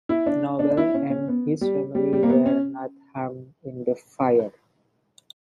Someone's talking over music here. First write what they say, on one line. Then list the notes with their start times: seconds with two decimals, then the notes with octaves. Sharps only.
Noble and his family were not harmed in the fire.
0.09 E4
0.26 D4
0.59 D4
0.70 D4
0.77 E4
0.94 C#4
1.10 C#4
1.28 B3
1.61 G3
1.95 G3
2.13 G3
2.23 A#3
2.30 B3
2.46 C#4